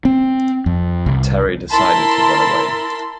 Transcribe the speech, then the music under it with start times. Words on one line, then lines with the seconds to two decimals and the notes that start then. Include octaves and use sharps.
Terry decided to run away.
0.05 C4
0.66 F2
1.06 C2
1.70 E4 A#4 A5 B5 C6